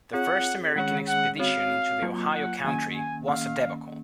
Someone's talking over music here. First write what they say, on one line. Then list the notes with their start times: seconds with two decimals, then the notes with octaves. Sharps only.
The first American expedition into the Ohio Country was a debacle.
0.14 C4 F4 G#4 C#5 F#5
0.76 D#3 G#3 C#4 G#4 C#5 F#5
1.08 F#5
1.39 C4 F#4 C#5 F5
2.02 F#3 A#3 F4
2.33 F#5
2.64 D#3 A#3 C#4 G#5
2.96 G#5
3.28 D#3 A#3 C#4 F5